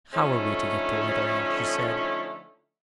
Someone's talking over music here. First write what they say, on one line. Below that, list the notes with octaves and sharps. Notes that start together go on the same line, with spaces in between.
"How are we to get to Leatherhead?" she said.
D3 F3 A3 C#4 D#4 E4